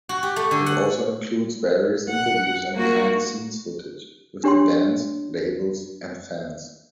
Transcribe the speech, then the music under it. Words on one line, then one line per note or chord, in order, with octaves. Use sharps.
It also includes various interviews and behind-the-scenes footage with the bands, labels and fans.
F#4
G4
A3
D3
F#5
F#5
A#3 F#4
D4 G4 C#5 G5 C6